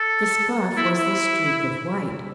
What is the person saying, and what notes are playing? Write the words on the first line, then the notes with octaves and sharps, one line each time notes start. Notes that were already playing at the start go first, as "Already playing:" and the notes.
The scarf was the streak of white.
Already playing: A4
E4
E4